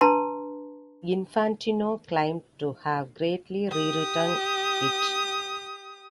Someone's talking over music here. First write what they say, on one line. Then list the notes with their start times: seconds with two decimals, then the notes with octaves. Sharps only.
Infantino claimed to have greatly rewritten it.
0.01 D4 B4 A5 A#5 C6
3.69 G4 D#6